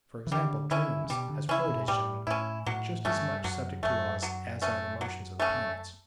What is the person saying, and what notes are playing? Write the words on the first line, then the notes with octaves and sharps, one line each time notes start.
For example, dreams, as Freud has shown, are just as much subject to laws as are the motions of the planets.
E3
D3 G3
D3 C#4 E4
C#3
B2 G3
D3
C#3 C#4 E4
B2
A2 G3
A2 C#4 E4
A2 F#3
G2 A3 C#4
F#2 F#3
F#2 A3 C#4
F#3
A3 C#4
F#3
A3 C#4